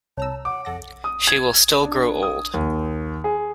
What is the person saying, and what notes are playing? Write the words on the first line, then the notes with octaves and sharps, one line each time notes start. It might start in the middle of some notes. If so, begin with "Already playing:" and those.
She will still grow old.
C2 C#5 A5 A#5 E6
F#5 D6
F2 A4 F#5 A#6
D#6
G#6
D4
D#6
D#2
G#4